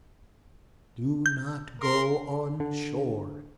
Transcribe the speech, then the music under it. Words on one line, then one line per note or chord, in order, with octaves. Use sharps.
Do not go on shore.
G6
A#4 C6
D3